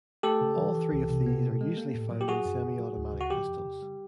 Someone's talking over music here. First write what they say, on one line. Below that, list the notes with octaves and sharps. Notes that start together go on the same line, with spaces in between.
All three of these are usually found in semi-automatic pistols.
A3 G4 A4
C#3
E3
E3
C2
C3
B3
B2
G#3
A#3
A2
F#3
G4
F#3 F#4 G#4
F#2
C#3
F#3
D2
C#3
F#4
F3 G4
F2
C#3
G3